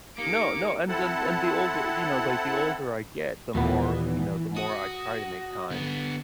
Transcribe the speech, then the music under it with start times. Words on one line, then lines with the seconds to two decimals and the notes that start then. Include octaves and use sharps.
No, no, and then and the older you know, like, the older I get, the more you know, the more I try to make time,
0.18 A#3 D#4 G4 A#4 D6 C#7
0.89 C4 E4 A4 F#5 A5
3.55 D#2 A#2 E3 B3
4.56 F#4 D#6
5.71 D3 B3